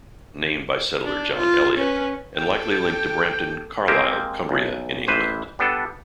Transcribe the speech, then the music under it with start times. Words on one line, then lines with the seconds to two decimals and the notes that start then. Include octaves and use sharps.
Named by settler John Eliot and likely linked to Brampton, Carlisle, Cumbria in England.
1.04 D4
1.37 F4
1.77 C#4 B4
2.37 G4 A4 G5
3.88 G#3 A#3 C4 G4
4.49 B1
5.08 A1 E3 B4 C5
5.59 G3 B3 D4 A4